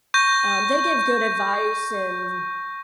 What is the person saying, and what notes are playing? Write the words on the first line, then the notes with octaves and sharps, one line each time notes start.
um, they give good advice, and,
C#6 G6 A#6